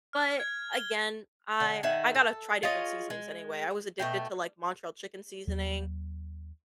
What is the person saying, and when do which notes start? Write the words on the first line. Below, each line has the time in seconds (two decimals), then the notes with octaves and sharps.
but again, I I gotta try different seasonings anyway. I was addicted to, like, Montreal chicken seasoning,
0.13 F6
0.40 G#6
0.73 G7
1.60 D3
1.83 D#3 G#4 E5 F#5
2.15 A4
2.63 F4 G#4 C#5 D#5
3.10 G#3
3.99 B2 A3 G5
5.47 D#2 F#3